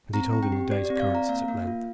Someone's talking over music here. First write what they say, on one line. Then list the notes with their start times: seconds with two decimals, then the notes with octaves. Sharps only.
And he told him the day's occurrences at length.
0.14 C4 A#5
0.33 C4
0.43 G5
0.52 G4
0.71 G4 D5
0.85 D5
0.90 C4
0.96 D5
1.00 F5
1.10 C4 A#5
1.29 A#3 F5
1.48 A#3
1.67 F4